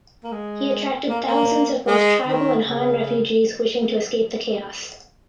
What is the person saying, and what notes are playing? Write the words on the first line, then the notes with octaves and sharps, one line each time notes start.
He attracted thousands of both tribal and Han refugees wishing to escape the chaos.
A#3
G#3
A#3
A#3
G#3
D#3
C#3